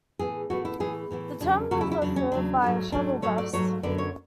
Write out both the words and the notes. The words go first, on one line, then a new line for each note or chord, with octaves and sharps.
The terminals are served by a shuttle bus.
A2 E3 B3 G#4
A2 E3 B3 F#4
E4
A2 E3 B3 G#4
A2 E3 B3
E2 C#3 F#3 D4
E2 C#3 F#3 F#4
E4
E4
E2 C#3 F#3 D4
C#4
E2 C#3 F#3 D4
G#2 F#3 A3
G#2 F#3 A3 D4
G#2 F#3 A3 C#5
D5
G#2 F#3 A3 C#5
F#2 D3 F#3 B3 D5
C#5